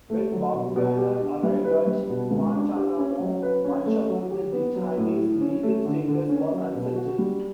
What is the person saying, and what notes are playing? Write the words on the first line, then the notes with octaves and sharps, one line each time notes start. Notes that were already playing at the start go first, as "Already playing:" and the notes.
When Bumgarner arrived at Guantanamo, much about the detainees' legal status was unsettled.
A3
F#3
B2
B2
G4
D4
G3
B4
G3
B2
C#2
D4
G4
C#4
F#3
B4
C#4
A3
F#3
G4
B3
F#3
A2
E4
C#4
A3
D3
D3
C#4
F#3
B2
F#4
G3